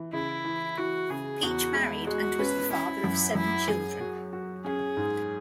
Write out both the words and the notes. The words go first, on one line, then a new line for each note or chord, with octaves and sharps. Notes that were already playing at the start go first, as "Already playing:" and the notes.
Peach married and was the father of seven children.
Already playing: E3
C#3 E4
E3
E3 F#4
C#3 G#4
E2 F#4
G#3 E4
G#3 F#4
C#4 B4
C#4 E4
F#2
F#2 E4
F#2 G#4
F#4
F#4
C#4 G#4
G#2